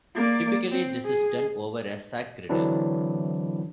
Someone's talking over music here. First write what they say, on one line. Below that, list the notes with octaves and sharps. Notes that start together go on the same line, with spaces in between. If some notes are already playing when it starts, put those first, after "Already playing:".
Typically, this is done over a "sac" griddle.
A#3 D5
C4
G#4
D3 E3 F#3 C4 D4 E4